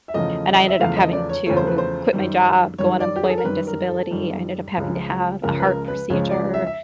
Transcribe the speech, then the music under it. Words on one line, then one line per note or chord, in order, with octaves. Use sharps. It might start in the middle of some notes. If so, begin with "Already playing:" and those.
and I ended up having to quit my job, go on employment disability, ended up having to have a heart procedure
E5
E2 C#3 F3 A3 D#5
D#5
E5
E2 C#3 F3 A3 F5
D#5
D5
C#5
E2 C#3 F3 A3 C#5
C5
B4
C5
F#2 D#3 G3
F#2 D#3 G3 C#5
D5
G4
G#4
A4
A#4
F#2 D#3 G3 B4
A#4
A4
F#2 D#3 G3
C#2 C#3 F3 G#3
C#2 C#3 F3 G#3 A#4
B4
A#4
B4
C#2 C#3 F3 G#3 C#5
D5
E5
E5